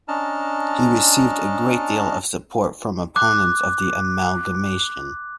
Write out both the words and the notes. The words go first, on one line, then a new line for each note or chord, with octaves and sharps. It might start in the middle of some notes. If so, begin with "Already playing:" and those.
He received a great deal of support from opponents of the amalgamation.
C#4 D4 D#5 A5 A#5 F6
D6 F#6